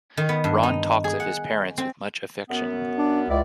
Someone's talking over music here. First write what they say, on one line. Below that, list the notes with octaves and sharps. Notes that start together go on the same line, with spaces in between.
Ron talks of his parents with much affection.
D#3
B3
G2
D#4
G#4
F#5
C4
F#2 B3
D4
C#2 B3 E4 D5